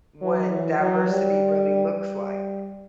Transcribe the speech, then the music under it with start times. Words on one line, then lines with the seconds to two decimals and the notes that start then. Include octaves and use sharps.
what diversity really looks like,
0.22 F#3
0.51 E3
0.79 F#3
1.08 G3
1.94 G3